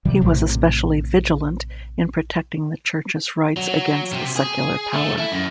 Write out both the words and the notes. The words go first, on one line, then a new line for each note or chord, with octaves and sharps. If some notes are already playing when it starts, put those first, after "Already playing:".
He was especially vigilant in protecting the Church's rights against the secular power.
C3 F3 G3
A#1 A2 C3
F#3
C3
G#4
A3
E4
F#2